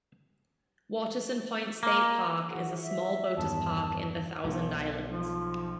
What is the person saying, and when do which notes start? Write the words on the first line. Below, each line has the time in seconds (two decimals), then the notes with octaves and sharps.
Waterson Point State Park is a small boater's park in the Thousand Islands.
1.83 A#3
2.51 E3 F#4 G#4 F#5
2.83 E5
3.37 E2 G2 D#3 A5
4.44 B1
5.09 F3